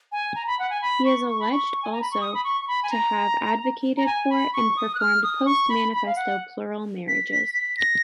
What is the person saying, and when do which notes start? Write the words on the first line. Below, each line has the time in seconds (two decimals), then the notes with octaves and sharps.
He is alleged also to have advocated for and performed post-Manifesto plural marriages.
0.12 G#5
0.35 A#5
0.47 B5
0.59 F#5
0.70 G#5
0.82 B5
1.05 C#6
1.28 C#6
1.40 B5
1.52 C#6
1.83 G#5
1.93 A#5
2.02 B5
2.11 C#6
2.21 D#6
2.34 B5
2.44 C#6
2.61 C#6
2.68 B5
2.83 G#5
2.90 A#5
3.97 A#5
4.06 G#5
4.30 B5
4.53 C#6
4.77 D#6
4.95 F#6
5.00 F6
5.23 D#6
5.46 C#6
5.69 B5
5.93 B5
6.06 F5
6.16 F#5
7.08 B6
7.31 B6
7.54 B6
7.78 A#6